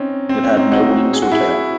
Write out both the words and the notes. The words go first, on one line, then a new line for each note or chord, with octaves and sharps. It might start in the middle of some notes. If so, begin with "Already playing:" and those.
It had no wings or tail.
Already playing: C4 C#4 D#4
C4
C#4
C4 D#4
D#4 F#4
G#4
F#4
E4 G#4